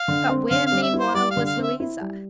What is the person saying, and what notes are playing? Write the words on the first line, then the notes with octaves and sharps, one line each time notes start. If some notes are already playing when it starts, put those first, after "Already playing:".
But where, meanwhile, was Louisa?
Already playing: F5
D3
C4
D3 F5
F5
G3
E5
E4
C5
G3 D5
F5
D3
F5
C4
E5
E4
G3